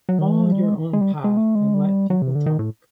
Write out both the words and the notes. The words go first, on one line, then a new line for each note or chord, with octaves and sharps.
Follow your own path and let people talk.
F#3
D#3
E3
F3
G3
G#3
G#3
G3
G#3
A3
G#3
G3
F#3
C3
D3
D#3
A2